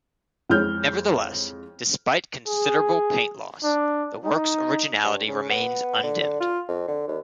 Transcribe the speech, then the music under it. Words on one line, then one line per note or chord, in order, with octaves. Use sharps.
Nevertheless, despite considerable paint loss, the work's originality remains undimmed.
F2 G#3 E4 C#5 F6 G6
G#4
D4
D#4
G2
C#3
B3
D3
D3
F4
F2
D3
D#2